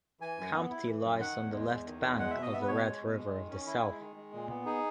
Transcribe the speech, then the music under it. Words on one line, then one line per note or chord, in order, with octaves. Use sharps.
Campti lies on the left bank of the Red River of the South.
E3 G#5
F#2
B3
E4
E3
F#2
D#3 F#5
E2
G#3
E2
D#3
E2
G#3 F#5
B2 E5
D#5
B3 E5
B4
B2 C#5
G#3
B2
G#3
D#3
C#4
E4
G#3
D#3
G#3
A#2
B3
D#4 G#4